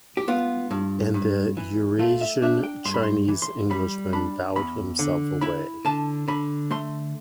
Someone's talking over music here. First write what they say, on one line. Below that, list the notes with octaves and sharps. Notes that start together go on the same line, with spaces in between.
And the Eurasian Chinese-Englishman bowed himself away.
G4
B3 F4
G2
G2
E3
A3 F4
E5
D4 E5
G5
G2 C6
B5
C6
E3
C6
G3 B5
D4 B5
E2 B5
D3
E4 B5
D3 A5
D3 B5
A3 C6